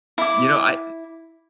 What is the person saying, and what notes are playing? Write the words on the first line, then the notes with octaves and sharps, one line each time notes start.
You know, I, uh
E4 D6